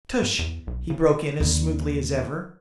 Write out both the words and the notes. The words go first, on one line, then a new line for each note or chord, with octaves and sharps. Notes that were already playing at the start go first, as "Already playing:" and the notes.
"Tush," he broke in as smoothly as ever.
G#2
E2
B1
C#3
D#2 D3